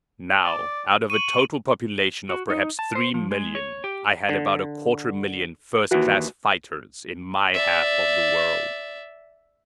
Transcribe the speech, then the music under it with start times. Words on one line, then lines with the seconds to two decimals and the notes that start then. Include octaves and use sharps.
Now, out of a total population of perhaps three million, I had about a quarter-million first-class fighters in my half of the world.
0.44 D5
1.10 C#6 D#7 F#7
2.29 F#4
2.50 D#4
2.79 A5
2.95 C5
3.14 F3
3.31 G#3
3.55 C#5
3.84 G4
4.29 D3
5.91 D#2 E3 F#4
7.54 D5 E5